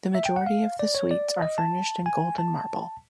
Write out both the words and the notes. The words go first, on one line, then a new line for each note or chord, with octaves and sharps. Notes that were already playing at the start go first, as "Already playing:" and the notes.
The majority of the suites are furnished in gold and marble.
E5
G5
F#5
F5
D5
C#5
D5
D#5
A5
G#5
A5